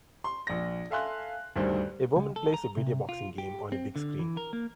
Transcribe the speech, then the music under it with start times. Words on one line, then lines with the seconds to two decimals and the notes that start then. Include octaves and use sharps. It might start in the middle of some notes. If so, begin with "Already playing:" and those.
A woman plays a video boxing game on a big screen.
0.24 C6
0.47 A#1 A#6
0.90 A4 E5 F5 G#5 C6 F#6
1.56 D2 G2 D#3 G3 C5
2.17 C#2
2.36 A4
2.54 A#5
2.77 C3
3.09 F4
3.38 G4
3.72 C4
3.96 D3
4.19 E3
4.37 A#4
4.53 A#3